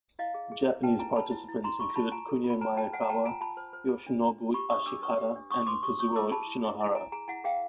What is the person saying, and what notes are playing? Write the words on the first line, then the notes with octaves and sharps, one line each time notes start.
Japanese participants included Kunio Maekawa, Yoshinobu Ashihara and Kazuo Shinohara.
E4 D#5 F5
G#4
G#4
E4
B4 G5 A5
E4 G#5 A#5
B4 A5 B5
E4
E4
E4 A#5 C6
E4 B5 C#6
E4 A5 B5
F4 G#5 A#5
A4
F4
B5
C5 G#5 A#5
F4 G5 A5
C5 F#5 G#5
A#5
C5 G5 A5
F4 G#5 A#5
F4 A5 B5
C5
C5
F4
D4
D4
D4
G4 B5 C#6
D4 C#6 D#6
D4 D6 E6
B4 C#6 D#6
G4
D4
D4 C#6 D#6
B4 C6 D6
G4 C#6 D#6
C#5 C#6 D#6
E4 D6 E6
G#4 A5 B5
E4
E4
E4
E4 G#5 A#5
G#4 G#5 A#5
E4 F#5 G#5
G#4 F5 G5